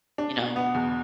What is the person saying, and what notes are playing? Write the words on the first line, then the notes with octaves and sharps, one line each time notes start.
you know,
D4
B2
B3
E2